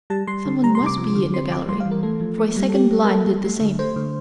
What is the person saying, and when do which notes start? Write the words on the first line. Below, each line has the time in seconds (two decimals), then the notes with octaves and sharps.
Someone must be in the gallery, for a second blind did the same.
0.10 G3 A5
0.27 G3 C6
0.46 D3
0.63 G3 A#5
0.75 C6
0.81 C3
0.86 D6
0.98 F3
1.15 D3
1.33 C4 C6
1.51 F3 D6
1.69 G3 C6
1.80 F5
1.86 E3
1.91 A#4
2.03 A3 A4
2.20 F3
2.38 A#3
2.57 G3
2.69 A4
2.74 A#3 G4
2.91 G3
3.05 A#4
3.08 A#3 A4
3.27 G3
3.44 A3
3.61 D3
3.79 A3 C5
3.96 D3